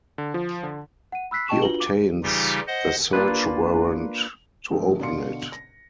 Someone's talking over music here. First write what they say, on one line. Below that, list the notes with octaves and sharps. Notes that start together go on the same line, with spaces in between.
He obtains a search warrant to open it.
D3
F3
D3
F#5 D#7
B5 E6 F#6 B6 C7
G4 D#5 G5 A5 C#6 E7
D4 F4 F#4 B4 F#7 G7
D6
C#3 E3 G3 D#4 F4 G4
C5 D#5 F#5
A#3 D4 F4 B4
G#2 D3 F3 G#3 A3
B2 D3 D5 F5 C6 C#7
A#6